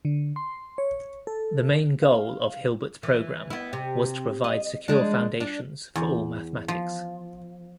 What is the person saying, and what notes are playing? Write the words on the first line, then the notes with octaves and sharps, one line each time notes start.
The main goal of Hilbert's program was to provide secure foundations for all mathematics.
D3
C6
C#5
A4
F5
E3
B3 E4
C3
D#5
F3 G#3 D4
D4
E2
F3